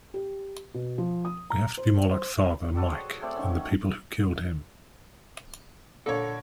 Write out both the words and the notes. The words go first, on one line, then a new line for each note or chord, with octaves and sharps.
We have to be more like Father Mike than the people who killed him.
G4
B2
F3
D#6
A#5
C5
C5
F#4 A4 D5 G5
G#4 A4 C5 C#5
A3 C4 D5
D#3 F#3 C#4
A#2 D3 A#3 D4 A4 C#5